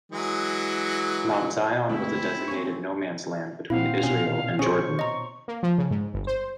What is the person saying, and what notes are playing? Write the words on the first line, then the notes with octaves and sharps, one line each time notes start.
Mount Zion was a designated no-man's land between Israel and Jordan.
E3 F#3 G#3
D2 G2 B2 G#3 C4 E4
A#3 C#5 G#5
A#2 C4 E4 F5 F#5
B2 C#4
C#4 G#4 C5 C#5 C#6
D#5 A#5
A#3
F3
C#3
G#2
G1
C5